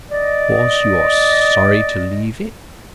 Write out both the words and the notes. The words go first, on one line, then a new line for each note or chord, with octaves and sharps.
"Because you are sorry to leave it?"
D5 D#5